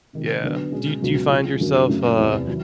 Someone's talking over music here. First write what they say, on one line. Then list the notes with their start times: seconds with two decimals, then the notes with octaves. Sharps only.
Yeah, do do you find yourself, uh,
0.13 C3 D#3 G#3
0.44 D3 F#3 B3
0.72 B2 G#3 C#4
1.02 C#2 B2 F#3
1.30 D3 F3 G#3
1.60 F#2 D3 F#3 A#3
1.89 F#2 C#3 F#3 A3
2.18 E2 C3 E3 A3
2.48 D#3 F#3 E4